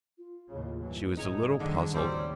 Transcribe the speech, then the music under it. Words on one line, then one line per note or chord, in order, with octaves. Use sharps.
She was a little puzzled.
F4
D#2 A2 C#3
G2 E3 F#3
G1 A2 A3 D#4 G#4 C#5 G#5
F1 C2 D3 D#3 G3
A1 D#2 C#3 F#3 G3 C4